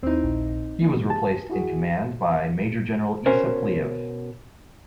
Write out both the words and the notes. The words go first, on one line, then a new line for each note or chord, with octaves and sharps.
He was replaced in command by Major General Issa Pliyev.
D#2 C4 D#4 E4
A#1
A#3
G4 G#4 A5
E4 F#4 G#4
B2 C#4 A#4 C5 G#5